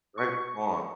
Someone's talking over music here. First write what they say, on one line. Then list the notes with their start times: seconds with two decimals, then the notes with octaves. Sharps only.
Right on.
0.18 C#6